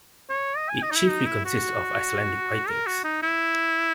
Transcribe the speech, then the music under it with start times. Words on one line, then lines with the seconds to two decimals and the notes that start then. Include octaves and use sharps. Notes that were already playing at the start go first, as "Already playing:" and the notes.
It chiefly consists of Icelandic writings.
0.30 C#5
0.57 D#5
0.69 G#5
0.82 D#5
0.91 D#4
0.96 E4
1.09 D#4
1.27 E4
1.45 F#4
2.69 A#4
2.87 F#4
3.04 D#4
3.22 E4